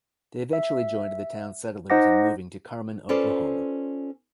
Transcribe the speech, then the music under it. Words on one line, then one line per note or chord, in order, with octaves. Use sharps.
They eventually joined the town's settlers in moving to Carmen, Oklahoma.
E5
D#4 C5 D#5 F#5 D6 A#6
C#4 F4 A4 B4 C5 D5